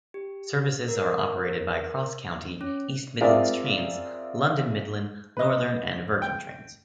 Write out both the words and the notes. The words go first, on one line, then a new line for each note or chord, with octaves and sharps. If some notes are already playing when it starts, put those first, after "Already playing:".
Services are operated by CrossCountry, East Midlands Trains, London Midland, Northern and Virgin Trains.
G4
A#4
C#4
C4 F4 G#4 A#4 D5 E5
B4 D#5
G5